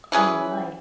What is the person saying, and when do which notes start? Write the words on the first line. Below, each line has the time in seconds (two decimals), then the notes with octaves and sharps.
Oh my.
0.12 E3 C#4 G#4 B4